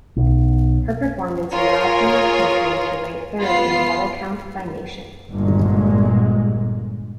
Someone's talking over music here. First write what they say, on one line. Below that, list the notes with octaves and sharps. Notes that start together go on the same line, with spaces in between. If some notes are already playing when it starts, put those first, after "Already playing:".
Her performance allowed her country to rank third in the medal count by nation.
B1
F4 G#4 A#4 C#5
B3 F4 C7
G1 A#2 G#3